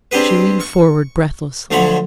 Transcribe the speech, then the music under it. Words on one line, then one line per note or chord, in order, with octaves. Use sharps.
She leaned forward breathlessly.
C4 D4 G4 G#4 B4
C#6
D2 D3 F3 F#3 C#5 B5